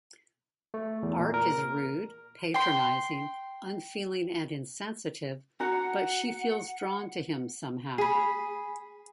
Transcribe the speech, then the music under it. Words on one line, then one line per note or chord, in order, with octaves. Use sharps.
Arc is rude, patronizing, unfeeling and insensitive but she feels drawn to him somehow.
A3
E2
A#2
A#4
G5 C6
F#4 F#5 A#5
G#4 B5